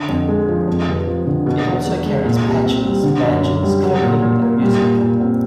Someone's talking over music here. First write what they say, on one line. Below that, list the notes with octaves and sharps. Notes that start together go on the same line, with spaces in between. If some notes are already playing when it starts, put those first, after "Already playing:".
It also carries patches, badges, clothing and music.
Already playing: D3
F2
G#3
F3
F2
F1
F3
D3
B2
E2
E2
G#3
A#2
C2
C4
G3
D3
F#2
F#2
G3
F#3
A#2
A#2
A#3
G3
A#2
A#2
C4